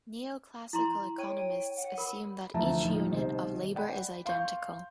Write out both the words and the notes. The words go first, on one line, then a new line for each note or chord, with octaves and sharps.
Neoclassical economists assume that each "unit" of labor is identical.
E4 A#5 C6
C#5 G5 D#7
F#5
A#4 B5
D2 E3 F3 E5 A5 A#5
A2 D#3 F3
C2 B2 D#3 C5
D5 F#5 G5 B5
F5 C6 C#6 G6